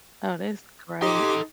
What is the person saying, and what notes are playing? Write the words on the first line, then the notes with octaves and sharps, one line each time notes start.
Oh, that's great.
D#4 G4 A4 C6 D6